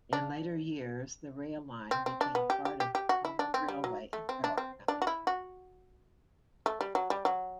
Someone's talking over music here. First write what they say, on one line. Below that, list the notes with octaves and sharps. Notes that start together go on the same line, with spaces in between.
In later years, the rail line became part of Tacoma Railway and Power Company.
D4
C4
C4
D4
B3
G4
G4
G4
G4
F#4
E4
D4
C4
G3
F#3
A3
C4
D4
C4
D4
F#4
E4
F#4
A3
G3
F#3
G3
F#3